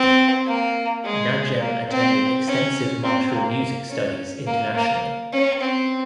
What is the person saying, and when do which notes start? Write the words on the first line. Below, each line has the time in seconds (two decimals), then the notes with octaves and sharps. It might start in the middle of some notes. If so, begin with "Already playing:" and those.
Najem attended extensive martial music studies internationally.
Already playing: C4
0.47 A#3
1.04 G#3
1.61 A#3
1.90 C4
2.47 C#4
3.04 C4
3.33 A#3
3.90 C#4
4.47 A#3
4.75 A#3
5.33 C#4
5.61 C4